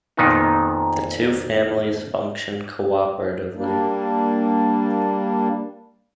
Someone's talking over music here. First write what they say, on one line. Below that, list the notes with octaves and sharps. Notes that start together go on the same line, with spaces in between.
The two families function cooperatively.
F2 A#2 D#3 B3 D#4
G3 A#3 D4